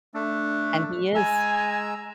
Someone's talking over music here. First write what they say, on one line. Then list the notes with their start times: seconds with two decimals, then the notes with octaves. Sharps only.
and he is.
0.14 A3 D4
1.15 G#3 G#5 A#5 E6